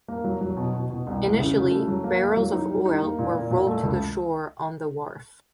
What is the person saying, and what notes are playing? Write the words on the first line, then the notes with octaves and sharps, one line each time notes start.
Initially barrels of oil were rolled to shore on the wharf.
A#3
F#3
F#3
B2
B2
B2
C2
E3
C#3
C#3
A3
F#3
A#3
A#3
F#3
D#4
G3
D#4
A#3
A#2
A#2
A#2
A3
C#2